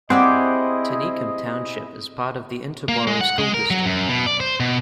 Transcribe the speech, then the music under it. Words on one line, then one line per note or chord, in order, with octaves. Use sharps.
Tinicum Township is part of the Interboro School District.
C4 E4 G4 G#4 C5 D5 D#5 F#5
A#3
G#3
F#5
G#3
A#4
F#3
F#2
B2
D5
C5
B2